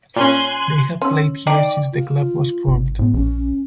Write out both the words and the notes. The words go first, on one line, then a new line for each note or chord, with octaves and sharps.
They have played here since the club was formed.
A#2 C#4 G#5 C6 F#6
C#4 C6 E6
D#4 D5 G5 D6
F4
G#1
A2 B3
A#1 C#4